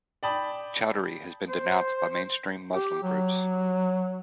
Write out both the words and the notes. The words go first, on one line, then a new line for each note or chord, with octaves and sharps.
Choudary has been denounced by mainstream Muslim groups.
D5 G5 A5 B5 D#6
C5
G4
F#3